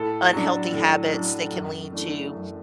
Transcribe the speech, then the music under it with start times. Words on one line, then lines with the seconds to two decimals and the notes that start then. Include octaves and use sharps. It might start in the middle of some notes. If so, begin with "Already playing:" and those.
unhealthy habits, they can lead to,
Already playing: A2 A4
0.33 F#3 D4
0.72 A2
1.13 F#3 D4
1.53 F#2
1.93 E3 A3 D4
2.33 F#2